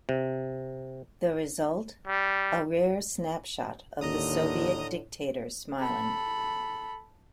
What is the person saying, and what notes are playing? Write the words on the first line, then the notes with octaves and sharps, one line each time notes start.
The result: a rare snapshot of the Soviet dictator smiling.
C3
G3
D#2 A2 D3 D#5 A#5 D#6
A4 B5